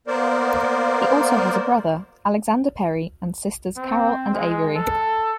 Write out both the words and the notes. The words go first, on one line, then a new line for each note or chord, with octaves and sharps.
He also has a brother, Alexander Perry and sisters Carol and Avery.
A#3 B3 A#4 C5 D5
C4
G#3
A4